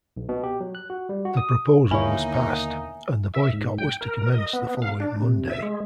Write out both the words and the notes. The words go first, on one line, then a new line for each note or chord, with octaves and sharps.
The proposal was passed, and the boycott was to commence the following Monday.
B1
B2
G4
F#3
F#6
F#4
G3
F#4
D#6
D#2 B2 D3 A#3 D#4 E4 C#5 G#5
E5
G#2
G5
A#4
D#5
B3
F5
D4
C3
E5
G#3